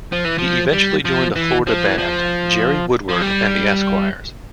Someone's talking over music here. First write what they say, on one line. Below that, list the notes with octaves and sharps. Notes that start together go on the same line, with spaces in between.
He eventually joined a Florida band, "Jerry Woodward and the Esquires".
F3
E3
F3
G3
F3
E3
F3
E3
F3
F3
G3